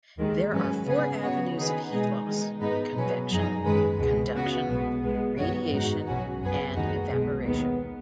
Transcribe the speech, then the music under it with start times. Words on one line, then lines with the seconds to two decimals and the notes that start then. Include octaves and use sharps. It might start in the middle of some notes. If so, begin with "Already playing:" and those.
There are four avenues of heat loss: convection, conduction, radiation, and evaporation.
0.18 D#2 D#3 G#3
0.53 G#2 F#3 C#4 B4
0.87 C#3 B3 G#4 B4
1.22 C#3 B3 F#4 C#5
1.57 D#3 B3 D#4 G#4 B4
1.91 B2 G#3 D#4 G#4
2.26 D#3 G#3 D#4
2.61 G#2 G#3 B3 D#4 B4
2.96 B2 F#3 C#4 B4
3.30 F#2 F#3 D#4 G#4
3.64 G#2 D#3 G#3 C#4 B4
3.99 C#2 B2 G#3
4.33 C#3 B3 F#4
4.69 B1 B2 G#3 B3
5.03 B1 B2 G#3 B3
5.37 F#2 D#3 B3 F#4 C#5
5.71 G#2 G#3 D#4 F#4
6.07 B1 B2 F#3 C#4 F#4
6.41 F#2 F#3 B3 G#4 B4
6.76 D#2 D#3 G#3 D#4 F#4
7.11 B1 B2 G#3
7.45 D#2 D#3 B3